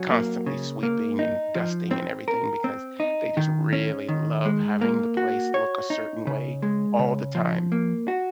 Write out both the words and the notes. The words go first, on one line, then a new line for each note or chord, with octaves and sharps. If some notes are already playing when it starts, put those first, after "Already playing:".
constantly sweeping and dusting and everything because they just really love having the place look a certain way all the time,
Already playing: F#3 C#4
A#3
C#3
A#3
D#4
F3
C4
A#4
C4
D#4
D#3
C#4
D#3
G#3
A#3
F#4
C#5
D#4
C#3
G#3
C#3
F3
A#3
F#4